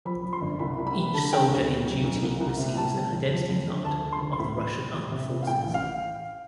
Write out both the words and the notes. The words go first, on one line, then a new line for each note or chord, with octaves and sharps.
Each soldier in duty receives an Identity Card of the Russian Armed Forces.
F3 B5
F3
C6
G1
C2 B5
C2
B5
G3
D3 A5
D3 G5
D2
B2
B1
B1
C2
C2
C3
G3 A5
G3
E2
F3
F2
D3
D2 A5
D3
C6
D2
C6
A2 B5
E3
G3
E2
C3
C3
F5
A2 G5
A1
F5